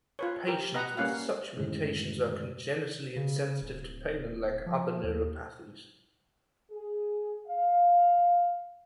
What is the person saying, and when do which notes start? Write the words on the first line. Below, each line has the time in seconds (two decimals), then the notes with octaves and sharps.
Patients with such mutations are congenitally insensitive to pain and lack other neuropathies.
0.19 F4 B4 C#5
0.47 G4 A#4
0.74 B3 B4 D#5 F#5 A#5
0.97 G3 A#3 C#4 F5 F#5
1.56 F#2 A2 D3 D#3 G#3 A3
3.16 C#3
3.61 D1
4.66 F3
5.03 D#2
6.71 G#4
7.47 F5